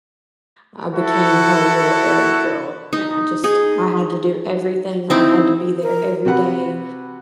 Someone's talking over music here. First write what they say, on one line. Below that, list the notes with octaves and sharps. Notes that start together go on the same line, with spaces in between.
I became her little errand girl, and I just I had to do everything. I had to be there every day.
E4 F#4 A4
D#4
D#4 G#4
C4 D#4 E4
A#4
C3 F#4 B4 F#5 B5